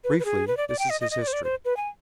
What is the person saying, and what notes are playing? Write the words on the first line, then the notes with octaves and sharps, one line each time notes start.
Briefly, this is his history.
B4
B4
G#4
B4
D5
D5
G5
D#5
D#5
D#5
D5
C5
D5
C5
B4
G#5